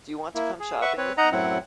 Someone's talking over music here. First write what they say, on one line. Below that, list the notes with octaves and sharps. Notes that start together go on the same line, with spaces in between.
Do you want to come shopping with me?
A#3 E4
G#4
B4 E5 F#5 C#6
C4 B4 C#5
D#4 D#5 F#5 A#5
F#2 A2 F#3 C4 E4 F#5